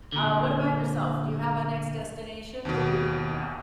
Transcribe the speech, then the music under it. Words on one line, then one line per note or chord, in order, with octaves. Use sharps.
Uh, what about yourself? Do you have a next destination? What are you thinking about?
A#2 D3
D#2 B2